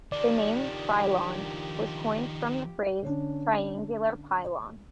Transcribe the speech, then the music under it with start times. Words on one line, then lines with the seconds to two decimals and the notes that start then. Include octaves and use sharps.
The name "Trylon" was coined from the phrase "triangular pylon".
0.12 D#3 F3 D4 G4 D5
3.03 D3 C#4 D4